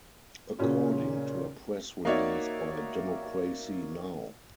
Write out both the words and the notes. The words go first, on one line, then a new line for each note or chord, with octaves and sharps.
According to a press release by Democracy Now!
A#2 C#3 C#4 F#4
A#3 D#4 F#4 C#5 D5 E5